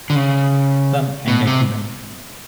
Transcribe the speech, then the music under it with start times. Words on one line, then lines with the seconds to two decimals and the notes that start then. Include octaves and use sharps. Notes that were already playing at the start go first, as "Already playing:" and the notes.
Come and get to bed.
0.10 D3
0.16 C#3
1.28 B2
1.47 C3